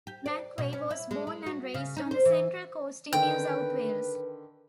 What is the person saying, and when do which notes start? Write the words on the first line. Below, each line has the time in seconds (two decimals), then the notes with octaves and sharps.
McVeigh was born and raised on the Central Coast in New South Wales.
0.07 G4
0.26 D5
0.58 B2
0.73 C#4
0.91 E4
1.11 G#3
1.27 G#3
1.46 F#4
1.74 C#3
1.97 D#4
2.11 C5
2.25 E3
3.13 D3 D#3 B4 G5